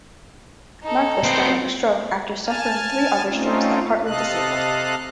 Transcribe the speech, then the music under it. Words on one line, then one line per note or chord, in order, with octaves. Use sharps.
Marquis died of a stroke after suffering three other strokes that partly disabled him.
D#4 A4
B3 C4
G#5 A5 F6
A3 C4 C#4 D#4 F4
C3 A4 D#5 F5 F#6